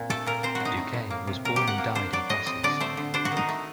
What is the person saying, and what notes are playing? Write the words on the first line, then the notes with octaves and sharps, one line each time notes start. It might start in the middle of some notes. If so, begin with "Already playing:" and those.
Doucet was born and died in Brussels.
Already playing: A#2 C4
A3 A4
A#2 A#4
C4 C5
A2 F#4
D#4
A3
A2
A#3
C3
F#3 A#4
G4
C3
F#5
A#3
D4 C5
F#3 D5
A2 D#5
C4 D#5
D3 D5
A3 C5
D3
D4 C5
F#4
D#3
D#4
A3